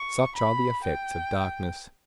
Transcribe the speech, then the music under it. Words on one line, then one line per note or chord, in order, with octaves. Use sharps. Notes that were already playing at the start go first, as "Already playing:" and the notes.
Such are the effects of darkness.
Already playing: C#6
B5
G5